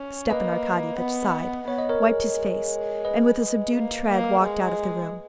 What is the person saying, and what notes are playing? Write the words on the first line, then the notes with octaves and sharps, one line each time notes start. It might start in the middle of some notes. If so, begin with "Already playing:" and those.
Stepan Arkadyevitch sighed, wiped his face, and with a subdued tread walked out of the room.
Already playing: C#4 C#5
A#3 B4 D#5
B3
B3 C#5
D#5
A#4 C#5
G#3
G#3
B4 D#5
A#3
A#3
G#3